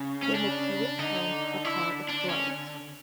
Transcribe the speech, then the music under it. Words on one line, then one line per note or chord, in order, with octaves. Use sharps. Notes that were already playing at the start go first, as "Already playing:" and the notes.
When the key is turned, the car explodes.
Already playing: C#3
C#4
D4
D3 D#4
E4
D4
C#4